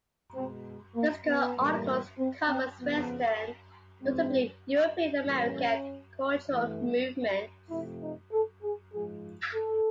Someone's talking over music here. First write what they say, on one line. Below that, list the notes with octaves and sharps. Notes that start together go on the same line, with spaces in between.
This current article covers western, notably European and American cultural movements.
B2 G#3 C4
A#3
B3
A2 E3 G3 A#3
C4
C4
F2 C#3 F3 B3
G#2 E3 G#3 C4
A2 E3 G3 A#3 C#4
G2 E3 A3
C3 F3 A3 E4
D#4
A4
G#4
G#2 F3 G#3 G#4
A4